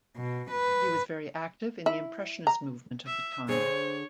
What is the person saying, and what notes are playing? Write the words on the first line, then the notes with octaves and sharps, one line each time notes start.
He was very active in the Impressionist movement of the time.
B2
B4
E4
A#5
E5
D3 D4 G#4 C5 C#5